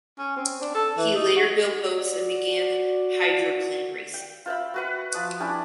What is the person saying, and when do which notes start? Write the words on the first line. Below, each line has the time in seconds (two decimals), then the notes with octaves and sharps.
He later built boats and began hydroplane racing.
0.19 C#4
0.36 C4
0.61 D4
0.75 A4
0.98 E3
1.15 D#4
1.36 F#4
1.81 F#4 D5
4.14 G5
4.46 F4 C5 E5 B5
4.74 F#4 B4 F#5
5.14 F3 A5 D#6
5.40 C#4 D4 E4 G4